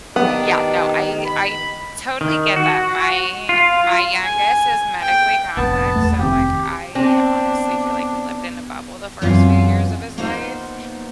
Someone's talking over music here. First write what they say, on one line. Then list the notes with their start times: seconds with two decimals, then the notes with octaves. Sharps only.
Yeah, no, I I totally get that. My my youngest is medically complex, so, like, I honestly feel like we lived in a bubble the first few years of his life,
0.16 D#3 B3 D4 G4
1.25 B5
2.21 D#3
2.56 F#4
3.49 F4
4.24 G#5
5.02 G5
5.57 F1 A#1 B3 A5
5.96 E2 A3
6.19 F1 D#2 C4 G4
6.95 B3 C4 D4
9.22 F#2 E3 B3 C4 F4 F5
10.18 A#3 B3 D#4 F4 C5